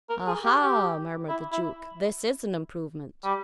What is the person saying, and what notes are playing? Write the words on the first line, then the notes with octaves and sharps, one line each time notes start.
"Ah, ha!" murmured the duke, "this is an improvement!"
A#4
G#4
G4
G4
E4
E4
G3